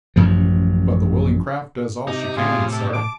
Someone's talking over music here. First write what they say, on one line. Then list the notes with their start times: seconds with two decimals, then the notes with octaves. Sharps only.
"But the willing craft does all she can, sir."
0.16 A1 F#2 F3
2.07 C3 D#4
2.36 A2 F4 G#4
2.72 A4
2.93 A5 D6 D7